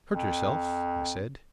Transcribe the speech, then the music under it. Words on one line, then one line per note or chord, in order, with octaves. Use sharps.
"Hurt yourself?" I said.
F2